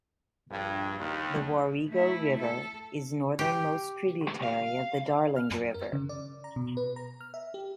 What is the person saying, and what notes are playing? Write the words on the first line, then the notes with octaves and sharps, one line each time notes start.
The Warrego River is northernmost tributary of the Darling River.
A#1 G2
D#2
A3 E4
A4
G4
F5
F6
F#2
A#4
C#3
D5
A#5
B2
B4
A#5
F6
E5
G4